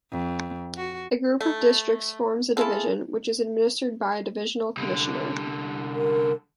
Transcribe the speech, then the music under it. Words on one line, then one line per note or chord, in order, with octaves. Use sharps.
A group of districts forms a division, which is administered by a 'Divisional Commissioner'.
F2
F#4
A3
E4 F4 G#4 A4
C2 D3
A#4